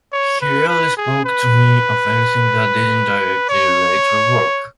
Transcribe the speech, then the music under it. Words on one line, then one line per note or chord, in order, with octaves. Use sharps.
He rarely spoke to me of anything that didn't directly relate to our work.
C#5
B4
B4
G#4
B4
C#5